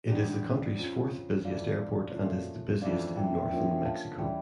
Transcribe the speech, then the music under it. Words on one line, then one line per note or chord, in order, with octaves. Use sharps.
It is the country's fourth busiest airport and is the busiest in northern Mexico.
E2 D3 G3 D4 G4
F2 C#3 F3 C#4
F2 E3 A3 D5 F5
A#2 F3 A3 C#4 F4
F2 C#3 E3 A3 D4 D5 F5
E5 G5
D3 F3 A#3 C#4 E5 G5
F5 A5
C#3 E3 G3 E5 G5